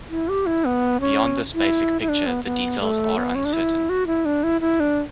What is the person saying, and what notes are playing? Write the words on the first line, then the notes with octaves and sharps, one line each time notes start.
Beyond this basic picture the details are uncertain.
E4
G4
E4
B3
C#4
E4
E4
D4
B3
B3
A3
B3
C#4
D4
E4
F#4
E4
D4
E4
E4
D4